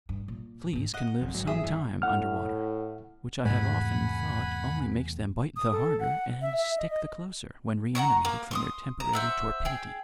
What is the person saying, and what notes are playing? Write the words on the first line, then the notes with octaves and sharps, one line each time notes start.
Fleas can live some time under water; which I have often thought only makes them bite the harder and stick the closer, when reanimated from their temporary torpidity.
G2
A#2
G#2 D3
D#5 F#5
G#1 F2
G1 G#2 F#3
G#4 E5 D#6
G1 G2 E3
A2 F#5 F6
E2 G#2 C3 A3 F#5 G#5 B5
D#6
A4
F#5
E5
E5
D#5
D#5
F#5 G5 A#5 C#6
A#3
C6 C#6 D#6
A#5
C5 E5 F#5
G#4 G5